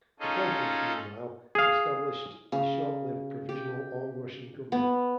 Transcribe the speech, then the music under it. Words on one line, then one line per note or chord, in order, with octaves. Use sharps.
The conference, meanwhile, established the short-lived Provisional All-Russian Government.
C#4 D#4 F4 G#4 A4 D#5
G#4 F5
C#3
G4
B3